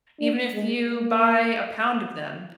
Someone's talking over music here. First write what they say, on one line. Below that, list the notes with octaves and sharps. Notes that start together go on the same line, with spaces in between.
even if you buy a pound of them.
D4
G#3
A#3